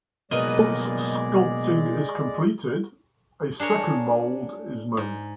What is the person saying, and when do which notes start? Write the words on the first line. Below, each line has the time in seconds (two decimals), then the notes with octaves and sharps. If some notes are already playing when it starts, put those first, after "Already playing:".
Once sculpting is completed, a second mold is made.
0.31 B2 F#3 G#3 A#3 A#4 B4 D5 D#5
3.60 D4 G#4 A#4 C#5
4.97 G#2